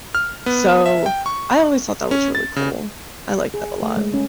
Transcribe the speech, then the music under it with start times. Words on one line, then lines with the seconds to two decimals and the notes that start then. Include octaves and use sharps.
So, I always thought that was really cool. I like that a lot.
0.15 F6
0.46 B3
0.86 E5
1.06 G5
1.26 C#6
2.11 C#4
2.35 A6
2.56 C#3
3.54 G#4
3.82 A3
3.97 G#3
4.14 C#4